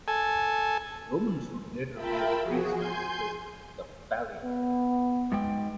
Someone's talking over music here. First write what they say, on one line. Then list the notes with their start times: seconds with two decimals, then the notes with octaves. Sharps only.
Romans would later wear the Greek-styled cloak, the "pallium".
0.08 A4 G#5
1.94 F4 A#4 E5 G5 A5 B5
2.39 F3 F#4 G#4
2.73 G#5 C6 G6
4.44 B3
5.32 G#2 G#3 G5